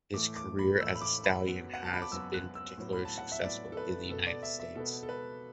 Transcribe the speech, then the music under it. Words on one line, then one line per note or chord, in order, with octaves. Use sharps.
His career as a stallion has been particularly successful in the United States.
A2 E3 A3 D6
D6
B5
A2 E3 A3 E6
B5
D6
B5
F#2 F#3 B3
F#5
A5
B5
D6
F#2 F#3 B3 E6
F#6
E6
A2 F#3 B3
B5
A5
F#5
E5
A2 F#3 B3 D5
A4
B4
B2 B3 A4
D5
E5
E5
B2 B3 A4
A4
B4